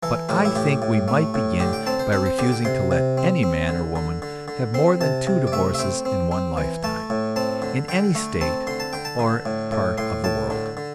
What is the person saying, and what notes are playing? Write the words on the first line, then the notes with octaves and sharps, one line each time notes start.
But I think we might begin by refusing to let any man or woman have more than two divorces in one lifetime, in any state or part of the world.
E3 A4
A2 G4
E4
A2 G4
A2
A3
A2
D3 G4
G5
C4 A5
C5
C4 A4
C5
D3 G4
G5
C3 C6
C3
C4
C4
D3
D3
D3
D3
C4 C6
C3 A5
C3
D5
A3 E5
E5
C4 G5
C4
C4
E3
A3 A5
A2
C4 A5
D3
D3 G5
A3
C4 A5
D3 C6
A5
D3 G5
A5
D3
A2
A2
A2 C6
A2 A5
D3
D3